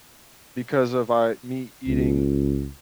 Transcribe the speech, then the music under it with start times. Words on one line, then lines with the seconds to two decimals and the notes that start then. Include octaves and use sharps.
because of I me eating
1.88 C#2